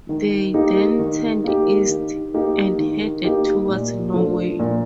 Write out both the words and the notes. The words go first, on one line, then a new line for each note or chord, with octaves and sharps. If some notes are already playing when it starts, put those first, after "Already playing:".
They then turned east and headed towards Norway.
D#3
A#3 D#4 G4
D#3
A#3 D#4 G4
D#3
A#3 D#4 G4
D#3
A#3 D#4 G4
A#2
F3 A3 D4
A#2